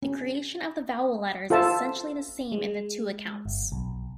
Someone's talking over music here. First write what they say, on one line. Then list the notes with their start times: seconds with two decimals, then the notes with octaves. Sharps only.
The creation of the vowel letters is essentially the same in the two accounts.
0.03 C#4
1.50 F4 A4 C5 E5 A5
2.52 G#3
3.45 G1
3.72 B1